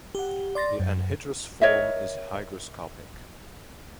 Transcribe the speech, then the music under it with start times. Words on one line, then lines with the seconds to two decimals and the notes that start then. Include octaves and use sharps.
The anhydrous form is hygroscopic.
0.15 G4 F#5
0.55 D5 C6 A6 A#6
0.80 F#2
1.61 A#4 C#5 D#5 E5